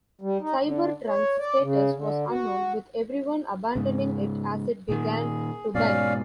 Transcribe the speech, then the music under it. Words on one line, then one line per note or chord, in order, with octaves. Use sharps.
Cybertron's status was unknown, with everyone abandoning it as it began to die.
G3
D#4
D3
C#5
D5
C#3
D3
F#4
G#2 C#3
A#2 D#3 G#4
G#2 B2 C#4 D5 F5